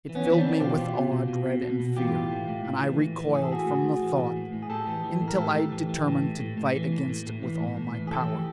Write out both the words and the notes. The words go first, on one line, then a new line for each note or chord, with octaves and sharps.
It filled me with awe, dread, and fear, and I recoiled from the thought, until I determined to fight against it with all my power.
E3
B3 C#4
E3
C4 D4
E3
B2 F4 G4
B2
B2
B2
B2
B2
B2
B2
E3 F4 G4
A2
A2
A2
A2
E3
A2
E3
E3 G#4
A4
A2 F#4 G#4
A2
A2
E3
A2
A2
A2
G#4
A2 G4 A4
E3
E3
A2
A#4
A2 G4 A4
A2
E3
E3
A2
A2
A2
A2
E3
A2
A2
A2
E3
A2
A2
E3
G#4
E3 G4 A4
E3